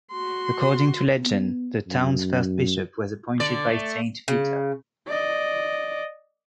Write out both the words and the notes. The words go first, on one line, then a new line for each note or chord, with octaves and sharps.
According to legend, the town's first bishop was appointed by Saint Peter.
F#4 C6
B3
F#2
D3 D5
A3
C#3
D5 D#5